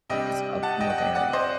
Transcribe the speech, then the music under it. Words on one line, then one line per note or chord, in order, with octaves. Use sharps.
his, uh, female variant.
C3 G3 D4 D#5 G5
F#5 A5
D#5 G5
F#5
D#5 G5
D5 F#5
C5 D#5